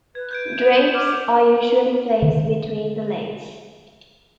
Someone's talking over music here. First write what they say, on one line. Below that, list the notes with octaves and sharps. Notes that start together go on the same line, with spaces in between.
Drapes are usually placed between the legs.
B4 G#6
G6 G#6 D7
D6 F6 E7 F7
D3 D#3